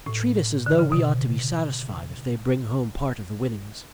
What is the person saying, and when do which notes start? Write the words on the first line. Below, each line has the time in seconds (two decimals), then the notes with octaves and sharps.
And treat us as though we ought to be satisfied if they bring home part of the winnings.
0.06 A2
0.66 D3
0.79 C#3
0.92 B2